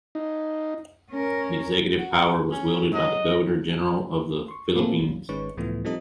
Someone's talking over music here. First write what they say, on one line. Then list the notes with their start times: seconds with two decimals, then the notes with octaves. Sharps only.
The Executive power was wielded by the Governor-General of the Philippines.
0.15 D#4
1.11 C#4 A#4
1.98 F#4
2.52 C#4
2.94 F#3 D#5
4.48 C6 C#6
4.76 A#2 A3 A#3 C4 G#4 A4
4.99 B1 F#3
5.29 G#1 D#3 G#3 C#4 B4 C#6
5.57 C#2 A2 E3 F3 A3 B3
5.85 F3 G3 C4 D#4 A4 D#5